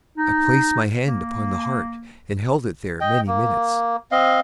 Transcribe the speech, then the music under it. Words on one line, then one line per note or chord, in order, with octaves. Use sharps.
I placed my hand upon the heart and held it there many minutes.
D#4
A#3
D#5 G5
A#3
C4 D#5 F5